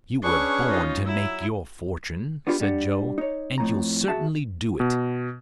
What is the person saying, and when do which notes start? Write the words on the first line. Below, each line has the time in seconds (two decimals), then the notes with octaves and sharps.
"You were born to make your fortune," said Joe, "and you'll certainly do it."
0.23 C#4 D4 G#4 B4 C#6
0.69 D#4 F4
1.06 F#3 E4 E6
2.47 B3 D4 E4 F4 G4 B5
2.60 G3 D4 F#5
3.18 D#4 C#5
3.58 F2 A2 A#5
4.08 F#4 G#4 E5 A5
4.80 B2